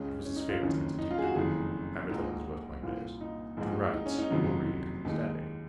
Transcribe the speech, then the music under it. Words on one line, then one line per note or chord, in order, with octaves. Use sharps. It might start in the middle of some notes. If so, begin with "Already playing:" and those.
It was his favorite attitude--habit of his West Point days--to write or read standing.
Already playing: C#2 C#3 G#3 C#4
C#4
D#4
F4
F#1 F2 D#3 C#4
D#4
F4
G#4
F#4
F#1 F2 D#3 G#4
A#1 G#2 F3 G#3 D#4
C2 A#2 F3 F4
D#4
A#1 G#2 F3 G#3
D#4
C#4
D#4
F#1 F2 C3 D#3 F#3
D#2 D#3 G#3 D#4